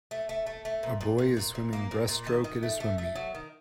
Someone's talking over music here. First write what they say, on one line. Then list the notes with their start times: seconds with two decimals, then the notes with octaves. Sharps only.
A boy is swimming breaststroke at a swim meet.
0.11 A3
0.29 A3
0.47 A3
0.65 A3
0.83 A#2
1.01 A#2
1.18 A#2
1.37 A#2
1.55 A#2
1.73 A#3
1.91 A#2
2.08 A#2
2.27 D#3
2.44 D#3
2.63 A3
2.80 A3
2.98 A3
3.15 F#3
3.35 D#3